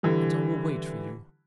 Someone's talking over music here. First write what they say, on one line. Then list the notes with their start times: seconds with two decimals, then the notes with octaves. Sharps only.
And I will wait for you.
0.03 D3 E3 G3